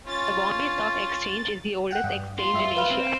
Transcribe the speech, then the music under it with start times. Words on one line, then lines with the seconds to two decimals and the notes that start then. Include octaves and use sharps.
The Bombay Stock Exchange is the oldest exchange in Asia.
0.07 C#4 F4 A6
1.91 F#5 G5
2.04 G2
2.39 F4
2.54 G2 E5
2.76 B4 F5
2.90 C4